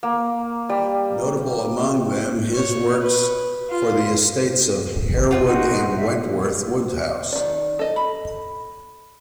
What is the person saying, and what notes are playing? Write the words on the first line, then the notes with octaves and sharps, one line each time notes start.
Notable among them his works for the estates of Harewood and Wentworth Woodhouse.
A#3
G3
C#5
B4
F4
F4 G4 G#4
D#4 F#4
E5
D#3 D5
A4 D#5
B5